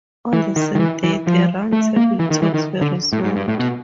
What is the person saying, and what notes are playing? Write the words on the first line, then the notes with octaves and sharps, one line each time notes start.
On the same day, the round table talks were resumed.
E3
D#3
D#3
E3
E3
F3
A3
A#3
E3
D#3
E3
D#3
D3
A2
G#2
G2
A2
B2